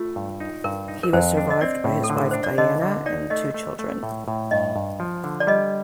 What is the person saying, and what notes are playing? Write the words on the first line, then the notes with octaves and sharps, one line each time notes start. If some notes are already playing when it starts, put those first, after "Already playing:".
He was survived by his wife, Diana, and two children.
Already playing: A3 F4
G2
D#4
G2 A#4
D#4
A#4
F2 C5
D4
D#5
C4 D5
A2
A4
D3
A#4
D4 C5
D5
D3 D#5
D3
D#4 D5
A3 D#5
A3
A3
A2
A2
G2 D#5
G2
F3
D3
D5
G3 D#5